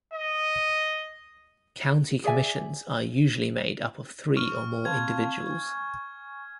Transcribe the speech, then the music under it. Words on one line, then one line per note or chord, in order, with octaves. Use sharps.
County commissions are usually made up of three or more individuals.
D#5
G#4 D5 E5 G#5
C#6 F6
C4 F5 A5 G#6
G#5 C#6